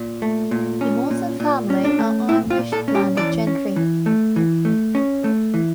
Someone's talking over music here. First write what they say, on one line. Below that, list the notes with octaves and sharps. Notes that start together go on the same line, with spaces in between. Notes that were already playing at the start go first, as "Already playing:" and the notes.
The Maunsell family are Irish landed gentry.
Already playing: A#2
A3
A#2
C#4
A#2
A#2
C#4
D4
A3
A#2 E4
F4
A#2
A4
C#4
G4
E3 D5
C#4
E3
A3
E3
A3
C#4
A3
E3